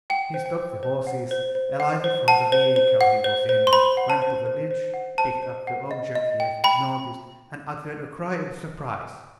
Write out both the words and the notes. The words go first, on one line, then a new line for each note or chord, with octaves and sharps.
He stopped the horses, alighted from the vehicle he was in, went to the ditch, picked up the object he had noticed, and uttered a cry of surprise.
F#5 G5
C5
G5
C5
C5
F#5
C5
C5
F#5
C5
F#5 A5
C5
C5
F#5
C5
C5
C6
C5 B5
F#5
A5
C5
C5
C5
F#5
C5 A5
C5
F#5
D#5
D#5
G5
G5 B5